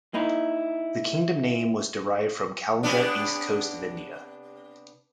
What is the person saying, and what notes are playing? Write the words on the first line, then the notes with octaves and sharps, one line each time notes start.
The kingdom name was derived from Kalinga east coast of India.
A#3 D#4 E4
C3 B3 D4